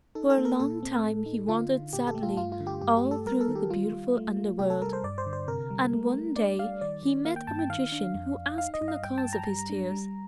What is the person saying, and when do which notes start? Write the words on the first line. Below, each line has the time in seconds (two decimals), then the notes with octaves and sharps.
For a long time he wandered sadly all through the beautiful underworld, and one day he met a magician who asked him the cause of his tears.
0.15 D#4 A4
0.30 A4
0.38 A#3
0.45 A#4
0.60 A#2 A4
0.83 C4
1.04 A2
1.26 D#4
1.48 D3 F4
1.71 D3
1.93 A#2 G4
2.07 A4
2.15 A3
2.23 F4
2.37 G2 F4
2.52 F4
2.60 D3
2.67 G4
2.81 G2 G4
2.97 G4
3.05 A3
3.11 A4
3.26 G3 A#4
3.41 A4
3.48 D#3
3.55 G4
3.70 G3 F4
3.93 G3
4.15 A3
4.37 A3
4.59 C3 G4
4.70 A4
4.81 G3 A#4
4.93 C5
5.04 G2 D5
5.18 C5
5.26 D3
5.33 C5
5.47 C3 A#4
5.70 G3
5.93 A3
6.15 A3
6.36 D4 D5
6.59 G3 F5
6.81 D#3 D5
7.03 D#3
7.25 A#3 F5
7.36 G5
7.47 G2 A5
7.59 G5
7.70 D#3 F5
7.92 D4
8.14 F2
8.37 F2
8.58 D#4 F5
8.74 D#5
8.81 G2
8.88 F5
9.03 G2 G5
9.18 A5
9.25 G2
9.33 A#5
9.48 G3
9.70 D4
9.92 G3